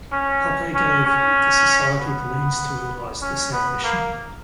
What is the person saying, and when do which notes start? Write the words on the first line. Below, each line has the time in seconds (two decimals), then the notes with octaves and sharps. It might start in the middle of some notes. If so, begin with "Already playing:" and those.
Pape gave the society the means to realize this ambition.
0.13 C#4
0.75 C#4
1.06 C#4
1.98 B3
3.22 C#4
3.52 B3
3.83 A#3